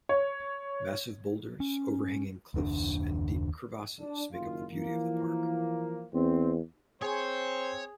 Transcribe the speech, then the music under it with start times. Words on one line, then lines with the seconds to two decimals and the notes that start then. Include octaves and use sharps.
Massive boulders, overhanging cliffs and deep crevasses make up the beauty of the park.
0.09 C#5
1.60 C#4
2.54 F#1 D#2 C#4 D4
4.00 D4
4.32 F#1 D#3 F4
4.70 E3 F3 A#3
6.13 E2 C4
7.02 C4 G#4 C5 C#5